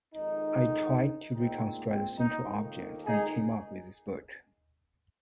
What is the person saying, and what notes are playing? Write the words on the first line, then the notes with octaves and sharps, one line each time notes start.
I tried to reconstruct the central object, and came up with this book.
F2 D#3 G#3 D#4
A#2 G#3 C4 D#4
C4
D#4
F2 D#3 A#3
D#4 G#4